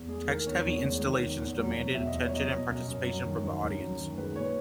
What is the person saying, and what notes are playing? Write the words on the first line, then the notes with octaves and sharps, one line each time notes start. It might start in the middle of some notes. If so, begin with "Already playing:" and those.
Text-heavy Installations demanded attention and participation from the audience.
Already playing: E2
G#3 G#4
D#3 A#4
E2 C#5
E2
G#3
D#3
E2
E2
F#3
B2
E2 E5
D#5
E2
C#5
F#3 D#5
B2
F#2
F#2
F#3
D#3
F#2
F#2
F#3
D#3
G#3 B4
A#2 C#5